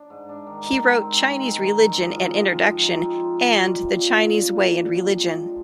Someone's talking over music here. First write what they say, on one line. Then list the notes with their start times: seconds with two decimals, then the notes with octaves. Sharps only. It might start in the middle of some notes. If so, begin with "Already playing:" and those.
He wrote "Chinese Religion: An Introduction" and "The Chinese Way in Religion".
Already playing: D4
0.10 G#2
0.29 D4
0.47 D#3
0.65 D#3
0.83 D#3
1.01 C4
1.20 C4
1.37 G#3
1.55 D#3
1.73 D#3
1.91 G#3
2.09 F3
2.28 F3
2.45 F3
2.64 F3
2.82 D#4
3.00 C4
3.18 F3
3.37 C4
3.55 G3
3.72 A#2
3.91 A#2
4.08 D4
4.27 A#2
4.45 A#2
4.63 D4
4.81 A#2
4.99 F3
5.17 G#3
5.36 D4